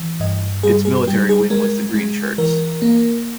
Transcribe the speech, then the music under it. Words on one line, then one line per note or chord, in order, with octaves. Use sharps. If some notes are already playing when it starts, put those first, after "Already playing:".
Its military wing was the Greenshirts.
Already playing: E3
G2 D#5
G3 G#4
G#4
G3 G4
G#4
G#3 A#4
G#3
E3 A#4
A#3